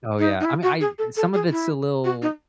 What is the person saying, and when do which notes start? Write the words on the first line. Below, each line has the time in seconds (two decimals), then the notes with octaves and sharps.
Oh, yeah. I mean, I some of it's a little
0.19 D#4
0.40 D#4
0.45 E4
0.63 F#4
0.81 G#4
0.98 A4
1.16 A4
1.34 G#4
1.51 E4
2.04 F#4
2.22 D#4